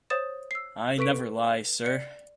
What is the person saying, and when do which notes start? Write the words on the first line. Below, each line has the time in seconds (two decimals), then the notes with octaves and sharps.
I never lie, sir.
0.10 C5 C#5 D#6 A6 E7
0.51 E6 C7
0.98 A4 B4 C#6 B6 D7
1.85 D5 C#7